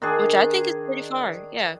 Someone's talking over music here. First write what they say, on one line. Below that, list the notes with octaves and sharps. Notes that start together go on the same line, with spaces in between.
which I think is pretty far. Yeah.
D#3 D4 G#4